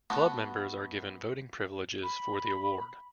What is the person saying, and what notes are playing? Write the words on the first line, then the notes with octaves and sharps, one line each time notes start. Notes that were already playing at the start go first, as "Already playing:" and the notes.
Club members are given voting privileges for the award.
A3 B3 F#4
B5